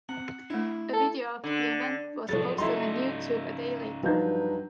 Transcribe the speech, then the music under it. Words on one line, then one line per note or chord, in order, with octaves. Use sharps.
A video of the event was posted on YouTube a day later.
C4 F#5
A3 D4 E4
A4
D3
F3 F#3 D4 G#4 A4 C#5 A6
C#3 F#3 A3 D#4 E4 C6
G2 F3 F#3 D#4 G6